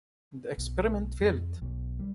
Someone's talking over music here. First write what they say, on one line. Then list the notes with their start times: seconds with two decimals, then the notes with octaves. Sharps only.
The experiment failed.
0.58 B1
1.20 F2
1.62 B1
1.99 G3